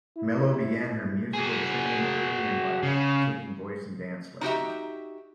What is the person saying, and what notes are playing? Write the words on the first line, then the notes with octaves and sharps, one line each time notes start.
Mello began her musical training early in life, taking voice and dance lessons.
E4
F#4 G#4
C#3
D#4 F#4 G4 E5